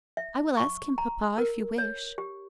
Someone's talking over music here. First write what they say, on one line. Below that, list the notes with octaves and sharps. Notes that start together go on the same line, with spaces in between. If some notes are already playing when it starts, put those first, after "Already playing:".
"I will ask him, papa, if you wish."
E5
C#6
A#5
A#4
C#5
G4